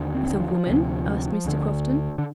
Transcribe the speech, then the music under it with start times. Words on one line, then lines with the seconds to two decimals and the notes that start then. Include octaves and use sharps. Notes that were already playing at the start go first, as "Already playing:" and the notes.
"With a woman?" asked Mr. Crofton.
Already playing: D#2 D3
0.14 C4
0.35 D#3
0.40 F3
0.67 D2 C3
1.45 D2 D3
2.18 D3